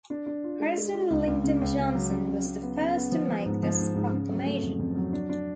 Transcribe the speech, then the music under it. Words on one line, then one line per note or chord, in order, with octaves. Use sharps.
President Lyndon Johnson was the first to make this proclamation.
D4
D4
F4
G#3
G#3
F4
C#2
C#2
C#3
C#2
C#3
F#3
C#3
C#3
C#3
B3
C#3
B3
F3
F3
G#2
F3
G#2
G#2
C#3
F#3
A3
F2
F2
F#3
D4
D4